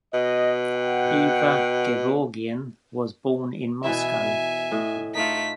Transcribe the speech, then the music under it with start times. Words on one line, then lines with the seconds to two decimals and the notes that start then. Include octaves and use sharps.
Eva Gevorgyan was born in Moscow.
0.14 B2 D#5
0.75 F#5 G5
3.84 B2 E3 E4 E5 G#5
4.72 A2 D#5
5.15 A3 D#4 F4 B6